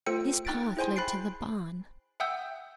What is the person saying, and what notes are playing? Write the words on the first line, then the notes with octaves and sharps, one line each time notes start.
This path led to the barn.
A3 F4 A4 C5 G5 C#7
D#4 G5 F#6 A6 B6 D7
E4 G#4 C5 G5 G#5 C6
B5 F#6 A6 C7 D7
E5 F#5 G5 D#6 E6 G6